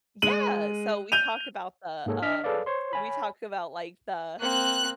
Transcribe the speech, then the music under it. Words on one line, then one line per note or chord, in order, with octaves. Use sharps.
Yeah, so we talk about the, um, we talk about like the
G#3 D#7 F#7
G6 D#7 F7
G#2 A#3 G#4 A4 C#5
D4 D#5 F6 B6
G#4 A4 B4 C#5 D5 F5
C5 C#5 C6
C#5 G#5 B5
A#3 C4 F#6